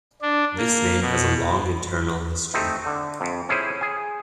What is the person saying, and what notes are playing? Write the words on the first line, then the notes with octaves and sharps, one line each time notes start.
This name has a long internal history.
D4
A#3
B2
A3 C4 D#4
D3
F2
C#4 E4 G#4 C5 G#5
G#4 G#5